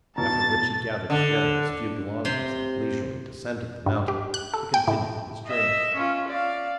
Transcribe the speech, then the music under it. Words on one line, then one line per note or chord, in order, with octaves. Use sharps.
After which he gathered together his few belongings, and leisurely descended the mountain to continue his journey.
E2 B2 A5 A#5 A6
D3
C3 C6
G2
G4
F#6
A4
G5
A2
D#5 E5
C#4 F4
D5 F5